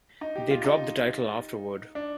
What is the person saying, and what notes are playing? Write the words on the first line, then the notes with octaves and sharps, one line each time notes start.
They dropped the title afterward.
D#4
G4
F4
D#4
D4